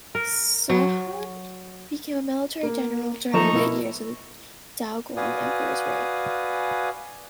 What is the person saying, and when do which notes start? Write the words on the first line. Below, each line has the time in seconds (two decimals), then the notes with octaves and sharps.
Sushun became a military general during the late years of the Daoguang Emperor's reign.
0.15 A#4
0.69 F#3
2.63 A#3
3.34 F3 A3 D#4 A#5 C#6 E7
3.53 B2 A#3 E4
5.17 F#4 B4 D5 F5 G#5 D#6